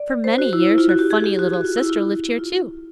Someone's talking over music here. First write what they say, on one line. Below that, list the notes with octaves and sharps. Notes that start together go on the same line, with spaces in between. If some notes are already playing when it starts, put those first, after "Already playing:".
For many years her funny little sister lived here, too.
Already playing: D5
C5
F#4
E4
E4
F4
F#4
G4
G#4
G4
F#4
F#4
F4
E4
F4
F4